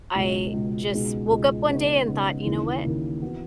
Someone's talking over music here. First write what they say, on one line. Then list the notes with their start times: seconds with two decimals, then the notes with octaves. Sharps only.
I just woke up one day and thought, "You know what?"
0.15 C#2 B2 G#3
0.54 C#2 B2 G#3
0.92 C#2 B2 G#3 D#4 G#4
1.30 C#2 B2 G#3 D#4 G#4
1.69 C#3 G#3 B3 D#4
2.08 C#3 G#3 B3 D#4
2.45 D#2 C#3 E3 A#3 E4
2.84 D#2 C#3 E3 A#3 E4
3.22 E3 B3 F#4